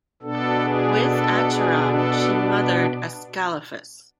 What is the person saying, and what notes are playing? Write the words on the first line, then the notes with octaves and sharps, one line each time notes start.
With Acheron, she mothered Ascalaphus.
B2 B3 D4 A4
G#4
A4
G#4
A4